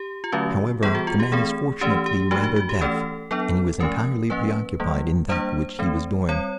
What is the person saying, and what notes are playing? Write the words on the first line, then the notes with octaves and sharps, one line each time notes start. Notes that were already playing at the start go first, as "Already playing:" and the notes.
However, the man is fortunately rather deaf, and he was entirely preoccupied in that which he was doing.
Already playing: G4
F4
D3 F#3 A3 C#4 F#4
E3 G3 B3 G#4
F#4
F4
G4
E3 A3 C4 G#4
E3 A3 C#4 G4
G4
F3 A3 D4 F#4
F#4
F#4
G4
E3 A3 C#4 A4
F#3 B3 D4 A4
F3 A3 C#4 A#4
F3 A#3 C#4 B4
E3 G3 A#3
G3 A#3 D4 C5
E3 A3 C4
G3 C4 C#5